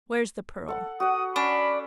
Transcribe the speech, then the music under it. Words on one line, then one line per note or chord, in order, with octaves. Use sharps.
Where's the Pearl?
A4 F#5
F#4 F#5 D#6
C#4 D4 B5